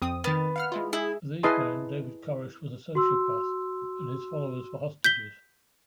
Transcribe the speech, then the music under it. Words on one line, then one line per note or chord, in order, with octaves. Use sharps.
For these men, David Koresh was a sociopath, and his followers were hostages.
F2 C4 D#6
D#3 B3 A6
F5 F#5 F6
G#3 E4 F4
E4 G#4
E4 G#4 B4 D#5 A5 C6
F#4 C6 E6
G6 B6 G7